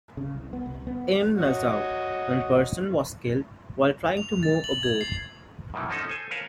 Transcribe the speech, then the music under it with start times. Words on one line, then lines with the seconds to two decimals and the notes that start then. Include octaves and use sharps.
In Nassau, one person was killed while trying to move a boat.
0.17 C#3
0.35 C2
0.53 B3
0.66 C2
0.87 B3
1.37 F#4 C#5 D#5
4.17 F7
4.43 A6
4.64 F#7
4.83 G#6
5.01 C7
5.74 F#2 B2 D#3 E3
5.90 F3 C4 C#4 D#4 A4
6.09 A4 C5 G#5
6.31 A#4 B4 C#5 F5 G#5 A5